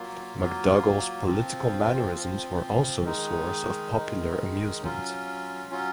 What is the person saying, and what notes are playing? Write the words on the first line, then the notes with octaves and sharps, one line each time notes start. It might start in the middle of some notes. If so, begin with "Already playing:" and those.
McDougall's political mannerisms were also a source of popular amusement.
Already playing: F#3 A#3 F4
F#3 A#3 F4
F3 C4 F4
F3 C4 F4
D#3 G#3 D#4
D#3 G#3 D#4
F#3 C#4 F4
F#3 C#4 F4